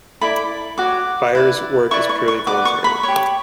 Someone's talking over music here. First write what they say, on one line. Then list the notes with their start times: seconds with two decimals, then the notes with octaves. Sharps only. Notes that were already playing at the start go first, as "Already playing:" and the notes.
Firer's work is purely voluntary.
0.21 E4 A4 D5 B5
0.78 F#4 C#5 D6
1.35 E4 B4 D5
1.91 E4 B4 D5 C#6
2.09 C#6
2.28 C#6
2.47 F#4 B4 D5 D6
2.65 C#6
2.84 B5
3.03 G4 C#5 C#6